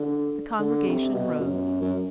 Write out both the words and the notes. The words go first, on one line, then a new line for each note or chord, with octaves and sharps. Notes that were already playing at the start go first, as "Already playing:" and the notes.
The congregation rose.
Already playing: D3
D3
C3
B2
F#2
F#2